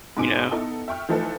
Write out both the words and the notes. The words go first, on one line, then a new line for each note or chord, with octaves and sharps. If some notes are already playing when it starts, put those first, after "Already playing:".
You know?
G#2 D#4 G#5 D6 D7
B3 D#4 E4 A4
E5 G5 C#6 F6
E3 F3 A3 D#4 A4 B4